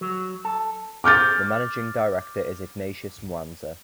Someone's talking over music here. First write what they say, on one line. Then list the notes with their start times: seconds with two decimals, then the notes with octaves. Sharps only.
The managing director is Ignatius Mwanza.
0.01 F#3
0.45 A4
1.04 D6 F6 G6 A6